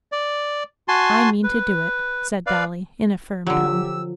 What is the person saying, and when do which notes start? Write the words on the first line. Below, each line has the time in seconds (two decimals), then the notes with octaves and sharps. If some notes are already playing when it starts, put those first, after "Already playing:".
"I mean to do it," said Dolly, in a firm tone.
0.12 D5
0.88 F#4 G#5 A5 C6
1.43 B4
2.47 B4 D5 F5
3.47 D3 F3 F#3 G4 E6